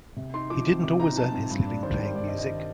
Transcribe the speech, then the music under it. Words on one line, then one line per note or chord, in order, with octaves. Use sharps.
He didn't always earn his living playing music.
C3
D#4 C6
F3 D6
C4
C3 D6
D#4 A#5
F3 A5
C4
G2
D4
D#3 C5
D5
G3
C5
G2 D5
D#5
D4
D#5
D#3